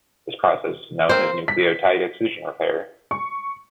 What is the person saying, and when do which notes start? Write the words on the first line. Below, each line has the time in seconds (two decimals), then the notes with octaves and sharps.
This process is known as nucleotide excision repair.
1.09 A#3 C4 C5
1.48 B6
3.11 C#6